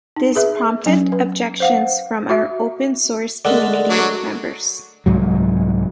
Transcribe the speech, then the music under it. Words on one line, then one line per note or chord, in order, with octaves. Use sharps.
This prompted objections from open source community members.
D#4
G#4 B4 E5
F#3 C#4
B4
C5 F5 F#5
F#4 E5
D3 G#3 A3 A4 A#4 D5 F#5
F#3 D4
C2 G#2 F#3